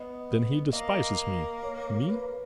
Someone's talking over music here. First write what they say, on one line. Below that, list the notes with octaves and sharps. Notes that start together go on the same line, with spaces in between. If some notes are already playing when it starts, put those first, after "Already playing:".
"Then he despises me, me?"
Already playing: B3 D#5
A#3 D#5
C#5
B4